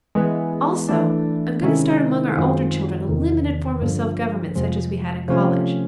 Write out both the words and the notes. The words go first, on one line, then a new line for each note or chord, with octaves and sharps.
Also I am going to start among our older children a limited form of self-government such as we had in college.
E3 G#3 B3
E3 A3 D4
C3 D#3 G#3 C#4 E4
F#2 D#3 G#3 C4 F4
E2 C3 D#3
G2 D3 F3
F2 C3 F3 G#3
C3 F3 A3 C#4 F4